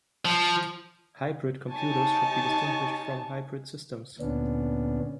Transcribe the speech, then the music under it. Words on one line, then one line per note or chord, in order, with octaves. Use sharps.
Hybrid computers should be distinguished from hybrid systems.
F3
D#4 G4 C#5 G#5 A5
D2 A#2 B3 C#4 D4